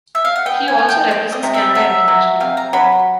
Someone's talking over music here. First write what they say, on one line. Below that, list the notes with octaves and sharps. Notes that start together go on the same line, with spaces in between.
He also represents Canada internationally.
E5
F5
F#5
B3 G5
G#5
F3
G5
G#3 D5
D#5
C3
E5
F#3 E5
F#3
C3 F5
A#5
F#3 B5